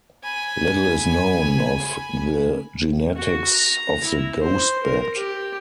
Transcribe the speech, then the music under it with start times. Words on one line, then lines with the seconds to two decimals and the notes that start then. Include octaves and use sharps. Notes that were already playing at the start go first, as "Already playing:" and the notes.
Little is known of the genetics of the ghost bat.
0.23 G#5 B5
3.16 F#4
3.53 A#5
4.04 E4
4.42 C5
4.83 A#4
5.16 G4